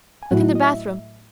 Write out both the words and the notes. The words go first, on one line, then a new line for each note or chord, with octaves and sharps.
Look in the bathroom!
G#5
A2 F#3 A3 E4 F#4 F#5
D#5
E5